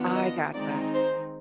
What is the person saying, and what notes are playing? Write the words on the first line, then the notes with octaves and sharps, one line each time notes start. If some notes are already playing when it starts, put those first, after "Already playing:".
I gotcha.
Already playing: D#3 B3 D4 F4
D#5
D#3 G#3 C4 D#4 D5
C5